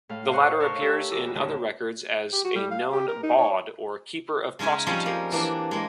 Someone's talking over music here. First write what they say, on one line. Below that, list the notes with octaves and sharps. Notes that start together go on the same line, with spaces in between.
The latter appears in other records as a known "bawd", or keeper of prostitutes.
A2 A4 F5
C5 C#5 D#5 F#5 C6 C#6
D#4 A4 A#4 C#5 F5 A5
G4 E5
E2 A#4 D6 E6
D#2 A2 D3 A5
G4
F#4
G3
F5
G4
A#4
D#4
C#5
C#3 G#3 D#4 E5 G#5
F3 G3 C4 C#4 G#4 C5
A#3
E3 A#3 D4
G#3 A#3